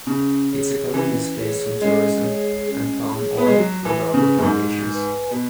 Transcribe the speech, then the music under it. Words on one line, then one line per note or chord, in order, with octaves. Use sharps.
Its economy is based on tourism, and palm oil and rubber plantations.
C#3 C#4
G#4 C#5
E3 C#4
G#4 C#5
G#3 C#4
G#4 C#5
C#4
G#4 C#5
B3
G#3
F#3 F#4
E3
B4 G#5
C#3
F#2
G#2 F#4
B4 G#5
B2 F#4